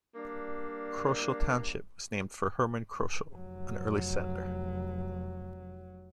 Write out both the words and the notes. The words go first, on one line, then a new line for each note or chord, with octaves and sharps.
Kroschel Township was named for Herman Kroschel, an early settler.
G3 A#3 D4
F1 F#3